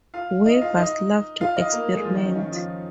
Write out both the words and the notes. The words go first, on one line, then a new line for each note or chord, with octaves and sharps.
Weavers love to experiment.
F4 F5
D#4 D#5
F4 F5
D#4 D#5
F4 F5
D#4 D#5
A#3 A#4
G#3 G#4
F3 F4
D#3 D#4
C#4
D#3 D#4
F3 F4